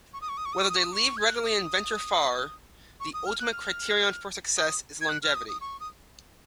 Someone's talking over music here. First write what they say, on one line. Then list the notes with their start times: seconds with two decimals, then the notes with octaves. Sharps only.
Whether they leave readily and venture far, the ultimate criterion for success is longevity.
0.13 C#6
0.21 D#6
0.29 C#6
0.37 D#6
0.45 C#6
0.53 D#6
0.61 C#6
0.69 D#6
0.77 C#6
0.84 D#6
0.93 C#6
1.17 G#6
1.27 F#6
1.35 F6
1.44 D#6
3.00 C#6
3.14 D#6
3.26 F6
3.40 F#6
3.52 F6
4.57 D#6
5.01 G#6
5.09 F#6
5.23 F6
5.35 D#6
5.48 D#6
5.61 C#6
5.80 D#6